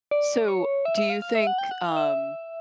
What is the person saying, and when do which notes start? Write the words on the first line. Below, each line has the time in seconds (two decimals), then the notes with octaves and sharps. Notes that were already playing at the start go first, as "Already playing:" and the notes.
So, do you think, um,
0.11 D5
0.48 C#5
0.85 E5
0.98 E5
1.10 F5
1.22 F5
1.35 E5
1.47 F#5
1.58 G5
1.71 F#5
1.84 F5
1.97 E5